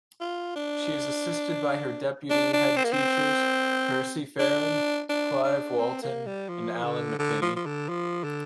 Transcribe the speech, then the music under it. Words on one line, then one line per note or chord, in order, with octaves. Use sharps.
She is assisted by her deputy headteachers Percy Farren, Clive Walton and Alan McKinney.
F4
D4
D4
D4
C4
A#3
C4
D4
D4
D4
C4
A#3
G3
F3
D3
D3
F3
F3
D3
F3
D3